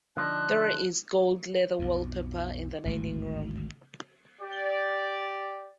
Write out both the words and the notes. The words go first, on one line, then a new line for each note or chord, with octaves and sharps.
There is gold leather wallpaper in the dining room.
D3 F3 D4 D#4 F#6
B1 F2
G#1 D2 G2
G4 D5